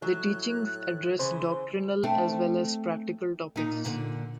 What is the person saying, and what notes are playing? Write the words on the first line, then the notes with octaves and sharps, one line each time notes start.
The teachings address doctrinal as well as practical topics.
A2 F#3 F#6
C#3 E3 C5 C6
A3 C4 D4
A#2 D#4
A#2 D3